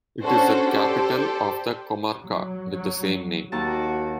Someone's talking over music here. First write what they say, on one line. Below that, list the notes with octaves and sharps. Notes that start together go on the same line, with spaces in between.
It is the capital of the comarca with the same name.
C#4 D4 F#4 A4 C5
G4 A4 C5 D5
F#3
F#3
D#2 F#4 A5